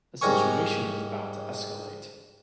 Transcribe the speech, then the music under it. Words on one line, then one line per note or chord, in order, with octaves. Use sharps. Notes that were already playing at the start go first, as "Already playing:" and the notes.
The situation is about to escalate.
G#2 G3 A#4 G#5 C#6